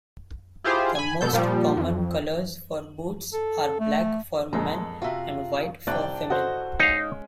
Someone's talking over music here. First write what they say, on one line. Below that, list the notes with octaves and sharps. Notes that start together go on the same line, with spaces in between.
The most common colors for boots are black for men and white for women.
E4 F4 G4 G#4 C5
G#5 B5
B2 A4 G6
A#2 F3 G3
F2
A4
A3
F2 A#2 G#3 A4
C3 F4 F#4 E5
C2 D4 D5 G5 F#6
F#4 A4 C5 D#5
G#3 C#4 D#4 F5